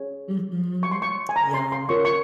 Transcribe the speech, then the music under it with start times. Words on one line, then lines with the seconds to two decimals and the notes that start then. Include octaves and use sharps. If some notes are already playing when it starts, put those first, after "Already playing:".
Mhm. Yum.
Already playing: C#4 G#4 C#5
0.83 C#6
0.91 C6
1.02 C#6
1.29 G#5
1.36 A#5
1.54 C6
1.72 C6
1.89 C#4 F4 A#4 C#5 C#6
2.05 C#6